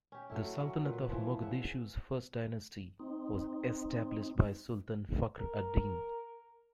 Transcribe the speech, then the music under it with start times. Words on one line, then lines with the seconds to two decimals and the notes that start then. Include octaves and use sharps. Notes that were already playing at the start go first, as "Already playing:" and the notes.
The Sultanate of Mogadishu's first dynasty was established by Sultan Fakr ad-Din.
0.12 C#4 G4
0.30 F#3 A3 E4
0.56 F#3 C#4
0.84 A#2 B4
1.09 E3 F3
1.42 C#3 E5 F#5
2.99 C4 D#4
5.40 A#4